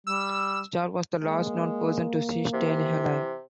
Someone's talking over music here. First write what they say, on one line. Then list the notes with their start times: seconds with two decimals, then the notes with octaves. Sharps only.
Starr was the last known person to see Staley alive.
0.07 G3 E6
1.23 G#3 A#3
2.53 C3 E3